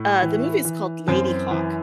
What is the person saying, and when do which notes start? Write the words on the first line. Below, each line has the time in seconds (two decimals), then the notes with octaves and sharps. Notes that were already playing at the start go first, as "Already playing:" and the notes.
uh, the movie's called Ladyhawke.
Already playing: A2
0.22 E3
0.65 E3
1.08 F#2 C4
1.51 E3